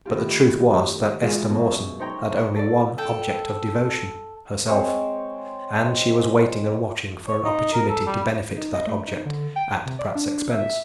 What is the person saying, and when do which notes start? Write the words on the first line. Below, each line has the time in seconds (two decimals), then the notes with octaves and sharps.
But the truth was that Esther Mawson had only one object of devotion--herself--and she was waiting and watching for an opportunity to benefit that object--at Pratt's expense.
0.05 A2 D#3 F4 G4
1.21 E3 G#3 F4 F#4 G#4
1.50 F#2 B2
1.99 D#4 C5 C#5 G5 A#5
2.56 A4 D5
2.98 A4 G5
4.67 G#3 C4 C#5
7.28 C#5
7.45 D#4
7.73 A#4
7.89 A4
8.06 G3
8.57 D#4
8.74 D#5
8.87 A3
9.08 D#4
9.25 D3
9.56 G5
9.86 C3
9.99 D5
10.15 D4
10.51 E5